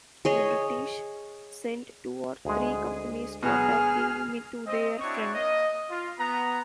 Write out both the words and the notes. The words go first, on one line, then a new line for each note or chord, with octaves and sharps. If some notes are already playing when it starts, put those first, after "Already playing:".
The British sent two or three companies to attack the enemy to their front.
G#4 C#5 D#5
D2 G#3 G#4
B2 F#3 G#4 F6
C4 D#5
C4 D4 E4 F#4 C#5 C#6
A#3 D#5
F4
B3 A#5